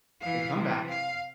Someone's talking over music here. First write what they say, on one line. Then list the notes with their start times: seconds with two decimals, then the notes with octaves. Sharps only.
they come back,
0.21 E3 F5
0.54 C3 E3
0.90 F5